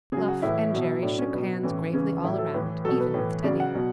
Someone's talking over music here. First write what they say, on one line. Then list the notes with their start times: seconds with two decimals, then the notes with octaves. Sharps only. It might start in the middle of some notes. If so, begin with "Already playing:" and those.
Bluff and Jerry shook hands gravely all around, even with Teddy.
0.12 C#3 F#3 G#4
0.28 F#4
0.42 A2 E3 E4
0.73 B2 F#3
1.03 A2 F#3 D4
1.19 C#4
1.33 B2 F#3 B3
1.63 A2 E3 C#4
1.93 C#3 E3 C#4
2.24 A2 F#3 E4
2.39 A4
2.54 A2 E3 B4
2.85 B2 F#3 A4
3.00 B4
3.14 A2 E3
3.44 C#3 F#3 D5
3.60 F#5
3.75 B2 F#3